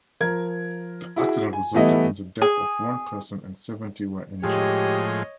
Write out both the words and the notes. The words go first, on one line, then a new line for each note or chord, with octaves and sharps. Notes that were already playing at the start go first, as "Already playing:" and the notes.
The accident resulted in the death of one person and seventy were injured.
F3 A#4 G#6
E4 F#4 G#4
G#5
E3 G3 A3 B3 E4 D#5
G#4
A2 F3 G#3 G4 C#5 D#5